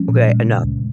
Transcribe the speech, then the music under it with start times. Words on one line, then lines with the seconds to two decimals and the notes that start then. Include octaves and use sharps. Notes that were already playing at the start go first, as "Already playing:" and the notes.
okay, eh, none."
Already playing: F3 G#3 C#4
0.08 A#2
0.27 G#3
0.46 C#3
0.64 C#2